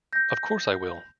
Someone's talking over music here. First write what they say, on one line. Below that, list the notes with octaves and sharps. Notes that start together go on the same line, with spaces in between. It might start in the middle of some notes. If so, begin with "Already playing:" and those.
Of course I will!
G6 A#6